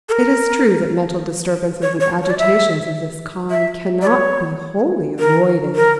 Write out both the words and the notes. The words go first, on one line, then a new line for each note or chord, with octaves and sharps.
It is true that mental disturbances and agitations of this kind can not be wholly avoided.
A4
A#4
C#5
C#5
C#5
D5
E5
E5
D5
C#5
A#4
A#4